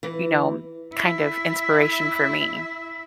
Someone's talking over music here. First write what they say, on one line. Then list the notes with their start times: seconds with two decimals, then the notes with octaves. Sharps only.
you know, kind of inspiration for me.
0.03 E3
0.94 E4 E5